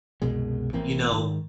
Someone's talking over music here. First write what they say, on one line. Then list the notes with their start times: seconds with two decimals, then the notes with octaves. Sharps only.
you know,
0.22 C2 F#2 B2 G#3
0.73 A1 E3 A#3 C4
1.10 G#2 D#3